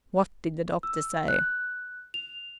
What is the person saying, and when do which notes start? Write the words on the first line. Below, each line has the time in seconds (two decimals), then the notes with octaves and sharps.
"What did the doctor say?"
0.83 E6
1.28 F#6
2.14 F7